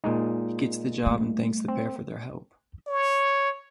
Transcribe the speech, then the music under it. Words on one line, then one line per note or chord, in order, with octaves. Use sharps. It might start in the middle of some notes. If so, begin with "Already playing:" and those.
He gets the job and thanks the pair for their help.
A#2 G#3 D#4
G3 A3
C4
C#5